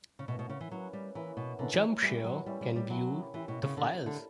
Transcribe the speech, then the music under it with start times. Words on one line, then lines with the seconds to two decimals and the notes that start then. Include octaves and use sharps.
Jumpshare can view the files.
0.19 C#3
0.28 B2 A#3 C#4 E4 B4
0.39 B2
0.49 C#3
0.61 E3
0.71 F#3 A#3 C#4 E4 B4
0.93 G3
1.15 E3 A#3 C#4 E4 B4
1.37 B2
1.59 D3 A#3 C#4 E4 B4
1.74 E3
2.02 G3 C#4 E4 G4
2.24 F#3
2.46 G3 C#4 E4 G4
2.61 G3
2.76 G3
2.90 F#3 C#4 E4 G4
3.34 E3 C#4 E4 G4
3.48 B2
3.63 C#3
3.77 D3 A#3 D4 G4
4.06 D3